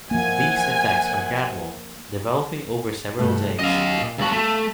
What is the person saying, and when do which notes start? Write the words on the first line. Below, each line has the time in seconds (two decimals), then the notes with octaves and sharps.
These effects are gradual, developing over several days.
0.11 F3 A#3 C5 E5 F#5 G#5
3.19 G2 C3 A3
3.59 F#3 C#4 D5 D#5 F5
3.97 D#2 A#2
4.18 C#2 F#4 F5 A5
4.32 A3